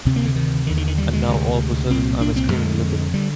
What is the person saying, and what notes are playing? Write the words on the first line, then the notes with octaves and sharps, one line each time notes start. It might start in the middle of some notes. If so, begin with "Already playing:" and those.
And now all of a sudden I'm a screaming liberal.
D2 C3
A#3
D3
D#3
D#2 D3 D#3
D#3
D#3
G3
G#3
D2 C3
C2 A#2 C4
D4
C4
F2 D3 G#3
D3 G3